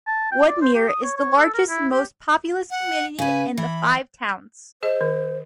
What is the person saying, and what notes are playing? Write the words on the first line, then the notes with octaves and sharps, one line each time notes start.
Woodmere is the largest and most populous community in the Five Towns.
A5
G5
D5
C5
G4
D#6
C#5
C#5
A4
A#4
E4
G4
F#5
C#3 B4 G#5
E3 B5
G#4 C5 D#5
D#3